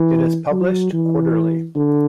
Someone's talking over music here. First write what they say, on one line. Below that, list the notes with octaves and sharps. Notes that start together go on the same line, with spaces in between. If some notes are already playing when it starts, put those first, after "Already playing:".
It is published quarterly.
Already playing: E3
F#3
E3
D3